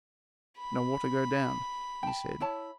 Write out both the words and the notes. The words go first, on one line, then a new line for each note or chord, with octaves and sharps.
"No water go down," he said.
B5
G5 A5
E4 C#5 A5